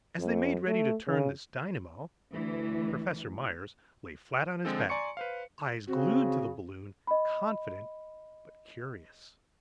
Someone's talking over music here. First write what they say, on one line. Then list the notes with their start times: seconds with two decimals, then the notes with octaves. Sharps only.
As they made ready to turn this dynamo, Professor Myers lay flat on his back, eyes glued to the balloon, confident but curious.
0.19 F2
0.68 A3
1.08 C#3
2.32 D2 E3
4.65 D3 F3 G#3 C4 F4 A4
4.90 D5 G#5 A#5 C6 C#6 C#7
5.17 B4 C5 F5
5.87 C#3 C4 F#4
7.07 D#5 B5